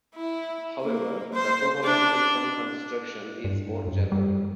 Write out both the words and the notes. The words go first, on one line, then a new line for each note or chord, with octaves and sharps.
However, the topological cone construction is more general.
E4
A#3
C5
D4
G2
F#2
G3